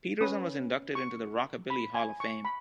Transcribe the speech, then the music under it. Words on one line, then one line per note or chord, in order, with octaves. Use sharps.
Peterson was inducted into the Rockabilly Hall of Fame.
C#4 B4 D#6
C#6
B5
G#5
C#6
B5